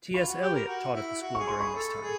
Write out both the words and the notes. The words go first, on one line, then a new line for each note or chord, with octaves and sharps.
T. S. Eliot taught at the school during this time.
F4 B5 C#6
F#4
G4
A#4
F#4
E4
F#4
G#4 C#6
C6
G#4 B5 C#6
A4
G#4